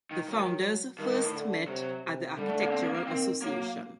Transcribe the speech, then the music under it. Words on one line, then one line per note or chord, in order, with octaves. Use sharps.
The founders first met at the Architectural Association.
D#3
D#3 F#3
G2 D#3
G2
A2
D3
C3 F#3
C3
D3 G3
A3
A#3
C4
A#3
A#3
D#3 C4
F#3 A#3